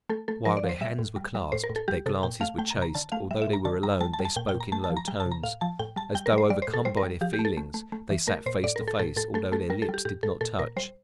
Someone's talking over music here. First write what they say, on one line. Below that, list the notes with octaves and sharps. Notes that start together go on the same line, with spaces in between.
While their hands were clasped their glances were chaste; although they were alone, they spoke in low tones. As though overcome by their feelings they sat face to face, although their lips did not touch.
A3 A4
A3 A4
F3 A#4
D5
F3
C5
G3 E5
A2
G3
G3
A2 C5
A#4
A2
A4
G3 G4
C3 A4
A#2 G5
A3 F5
A3 G5
A#5
C3
A#5
D3 A5
A3 F5
G3 E5
E5
A2
A#5
D3 A5
G3 A#5
G3 A5
A5
G3
A5
A#2 G5
G5
A#2
A#5
A3 A5
A5
F3
A#5
G3 G5
A5
C3
A#5
A2 F5
F3 A5
A2 G5
G3 A5
G3 G5
A#4
G3
C5
G3 D5
C5
A2
A4
G3 C5
A#4
G3
F3 G4
G4
A3
A4
A3
A3
A3
E3
A3 A#4
A#2 C5
A2 D5
A#4
A2
A4
A2 A4
A2 A4
A3 A4
A3 A4
G3 A#4
A4
G3
G4
A2 G4
A2 A4
A#2 A4
A#2 A#4
G3 C5